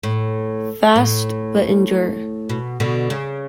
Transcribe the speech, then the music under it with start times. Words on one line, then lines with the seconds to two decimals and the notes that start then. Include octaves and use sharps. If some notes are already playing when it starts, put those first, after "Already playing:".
Fast, but endure.
0.03 A2
0.96 A2
2.49 B2
2.80 B2 D3
3.10 C#3